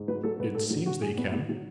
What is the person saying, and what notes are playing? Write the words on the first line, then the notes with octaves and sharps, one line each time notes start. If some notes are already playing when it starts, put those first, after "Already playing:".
"It seems they can."
Already playing: G#2
F#3 B4
F#3 A4
G#2 B4
A2 A4
F#3
F#3 F#4
A2 G#4
A2 B3
F#3
F#3